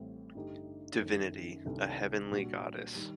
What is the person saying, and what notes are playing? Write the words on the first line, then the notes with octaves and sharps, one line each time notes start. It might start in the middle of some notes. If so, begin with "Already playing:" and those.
Divinity- a heavenly goddess.
Already playing: A1 A2 G3 C4
G2 D3 A3 D#4 G4
F#2 D#3 A3
C2 C3 D#3 A3 D4
A#2 G3 D4 F#4
D#3 G3